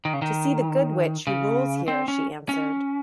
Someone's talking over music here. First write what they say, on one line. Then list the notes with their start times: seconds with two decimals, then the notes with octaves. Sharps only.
"To see the Good Witch who rules here," she answered.
0.05 D#3
0.13 C#3
0.22 D#3
1.27 C#3
1.88 C4
2.08 C#4
2.49 C#4